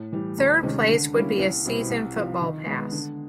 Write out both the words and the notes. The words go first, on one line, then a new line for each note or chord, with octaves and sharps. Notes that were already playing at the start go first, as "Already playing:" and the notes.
Third place would be a season football pass.
Already playing: A2
E3 G3
D2
C3 D#3 G#3 C#4
D3
G3 A#3 C#4 E4
C2
B2 G3 C4 E4
C2
C3 F3
D#3
G#3 B3
D3